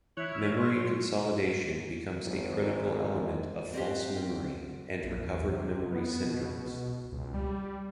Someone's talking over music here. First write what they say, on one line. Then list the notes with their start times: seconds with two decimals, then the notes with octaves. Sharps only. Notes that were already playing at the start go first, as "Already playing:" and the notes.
Memory consolidation becomes a critical element of false memory and recovered memory syndromes.
0.17 E3 E4 C#5 F#6
0.34 E6 F6
0.57 C6 C#6
0.73 F#3
2.27 G#1
3.73 C4 C#4 F#4 G4
5.04 A#1
5.27 E2
5.53 C3
5.92 B3
6.26 B2
7.12 C#2
7.34 G3